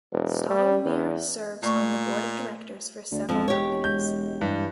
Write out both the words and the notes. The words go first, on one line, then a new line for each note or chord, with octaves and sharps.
Stottlemyre serves on the board of directors for several companies.
E1
G3
E2
A#2 A3 D5 C#6
D2 D5
E1 F2 F3 G#3
G4 C#5
G6
G2 E3